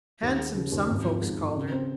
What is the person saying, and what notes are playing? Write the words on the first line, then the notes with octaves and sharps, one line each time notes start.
Handsome, some folks called her.
D#2
G#3
C#3
D#2
G#1
F3
G#2
G#1
C#3
C4